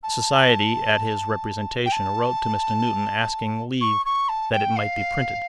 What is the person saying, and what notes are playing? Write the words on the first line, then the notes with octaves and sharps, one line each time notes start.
The Society at his representation wrote to Mr. Newton asking leave that it might be printed.
A5
G5
A5
C#6
C#6
A5
G5
F5